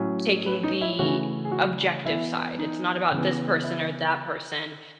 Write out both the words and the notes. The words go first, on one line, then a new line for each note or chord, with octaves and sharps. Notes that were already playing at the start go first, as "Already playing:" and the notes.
taking the objective side. It's not about this person or that person,
Already playing: A2 F#3 C#4
B4
D#4
E4
C#3 E3 A3 C#4 F#4
G#4
F#4
E3 B3 E4
D#4
C#3 E3 B3
E4